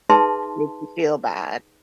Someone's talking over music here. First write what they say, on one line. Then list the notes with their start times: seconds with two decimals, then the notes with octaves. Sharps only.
make you feel bad
0.10 D#4 G#4 B4 E5 A5 C6